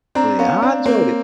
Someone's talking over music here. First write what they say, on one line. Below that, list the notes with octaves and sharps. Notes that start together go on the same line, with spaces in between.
Really, I enjoyed it.
C4 D4 A#5
B3 C#4 F5
C4 D4 C#5
A#3 C4 C#5